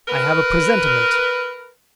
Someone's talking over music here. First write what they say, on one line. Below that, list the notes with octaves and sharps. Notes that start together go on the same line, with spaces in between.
I have a presentiment.
A#4 B4